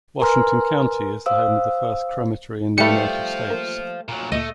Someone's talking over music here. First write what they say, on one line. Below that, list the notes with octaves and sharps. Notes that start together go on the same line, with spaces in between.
Washington County is the home of the first crematory in the United States.
A#4 B4 G#5 A#5 C6 F6
C5 F5 D#6 E6
G3 A3 B4 C5 F5 C#7
A#3
A#2 F#3
D2 A#2 A3 D#5